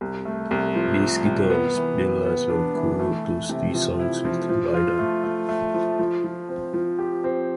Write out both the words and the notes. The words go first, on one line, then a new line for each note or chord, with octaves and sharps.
Bass guitarist Bill Laswell co-wrote those three songs with Lydon.
C2
A3
C2
F3
A3
C3
B3
E3
B3
B3
D4
E3
A3
A3
C3
F3
E4
F3
F3
F4
A3
A3
A3
F3
F3
F3
C4
F3
G4
C4